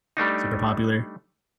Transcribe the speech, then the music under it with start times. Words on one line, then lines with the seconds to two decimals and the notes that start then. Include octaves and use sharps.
Super popular.
0.17 G3 A3 D4 D#4